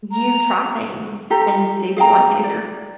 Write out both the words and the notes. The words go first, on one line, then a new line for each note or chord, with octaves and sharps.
you try things and see if you like it, if you're
A#5
F4 G4 A4 A#5
G#4 F5 G5 A#5
D5